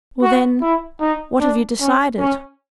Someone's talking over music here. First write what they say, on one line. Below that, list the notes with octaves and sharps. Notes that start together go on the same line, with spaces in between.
"Well, then, what have you decided?"
F#4
E4
D#4
D4
C#4
C#4